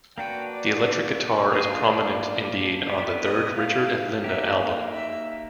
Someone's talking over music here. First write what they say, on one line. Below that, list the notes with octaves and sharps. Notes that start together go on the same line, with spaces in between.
The electric guitar is prominent indeed on the third Richard and Linda album.
A#3 D4 F#4 B4 G5
D5
A#3 D4 F4 G#4 D#5
D5
B3 E4 G4 B4 D5
D#5
F5
A#3 D#4 G4 E5
F5
E5